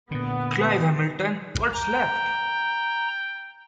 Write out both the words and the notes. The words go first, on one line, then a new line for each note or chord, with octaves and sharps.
Clive Hamilton - What's Left?
A#2 D3 B3
G5 A#5